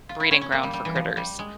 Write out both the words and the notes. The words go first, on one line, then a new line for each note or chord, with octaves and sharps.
breeding ground for critters.
F4
E4
C#4
C#4
A#3
G3
G3
E3
F3
G3
G#3